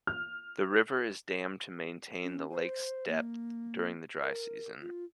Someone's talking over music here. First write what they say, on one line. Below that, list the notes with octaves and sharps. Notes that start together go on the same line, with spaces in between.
The river is dammed to maintain the lake's depth during the dry season.
F6
C#4
C5
A#3
A#4
F4